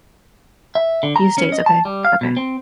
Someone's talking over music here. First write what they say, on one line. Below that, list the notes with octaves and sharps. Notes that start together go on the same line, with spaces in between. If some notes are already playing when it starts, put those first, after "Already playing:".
Few states, okay, okay.
E5
D3
A#5
C#4
D#5
A5
G3
F5
B2
C4